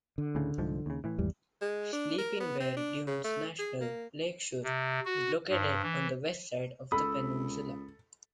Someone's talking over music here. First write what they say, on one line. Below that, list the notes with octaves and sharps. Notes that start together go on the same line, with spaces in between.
Sleeping Bear Dunes National Lakeshore is located on the west side of the peninsula.
D3
D2 A2 C#3
C2 G#2 F3
D#2 C#3
A2 E3
G#1 E2 G3
G#3
D4
A#4
B3
C4
D4
C#3
A3
G#4
A#3
C3
F#4
G2
E3
C#2 A4 B5 D#6 E6